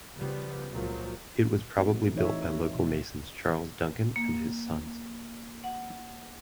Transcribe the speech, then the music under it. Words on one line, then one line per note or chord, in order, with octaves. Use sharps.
It was probably built by local masons Charles Duncan and his sons.
C#3 F3 G3 B3
C#2 A#2 F3 F#3
A3 C4 D#4 F#4
E3 D#4 C#5 E5
B2
A#3
F#5